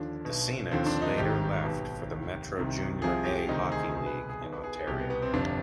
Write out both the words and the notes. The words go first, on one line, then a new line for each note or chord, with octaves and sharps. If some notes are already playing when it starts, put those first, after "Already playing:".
The Scenics later left for the Metro Junior A Hockey League in Ontario.
Already playing: D#2 D3 F3 D4
B1 B2
D#2 D3 F3 C4
D4
D#4
G#1 G#2 D#3 G4
B1 B2 G4
F1 D#2 D#3
C2 C3 D#3
C2 C3 F3 G#4
G4
D2 C3 D#3 D#4
G#4
C2 B2 G#4
B4
G#4
B1 B2
B4
G#4
G#4
C2 B2 G4
B3
B3
C4
G1 F2 C3 D4